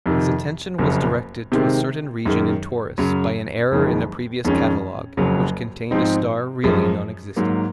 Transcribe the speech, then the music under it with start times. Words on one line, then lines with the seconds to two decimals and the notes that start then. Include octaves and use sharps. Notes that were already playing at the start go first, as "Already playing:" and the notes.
His attention was directed to a certain region in Taurus by an error in a previous catalogue, which contained a star really non-existent.
0.06 F2 C3 D#3
0.78 F#1 F2 C#3 F#3
1.52 C3 D#3 G#3 C4
2.25 F#2 D#3 G#3
2.98 F#2 C#3 F#3
3.71 F#1 F2 D#3 G#3
4.45 F2 D#3 G#3 C#4
5.17 F#1 F2 C#3 F#3
5.91 G#2 F3 C4 D#4
6.64 F#2 F3 G#3
7.36 G#2 F#3 A#3